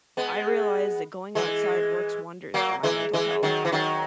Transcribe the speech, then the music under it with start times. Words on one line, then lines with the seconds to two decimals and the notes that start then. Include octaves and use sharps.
I realized that going outside works wonders for my mental health.
0.17 G#3 B3
1.35 E3 G#3
2.54 F#3 A#3
2.83 E3 G#3
3.13 E3 G#3
3.43 D#3 F#3
3.65 E3
3.72 D#3 F#3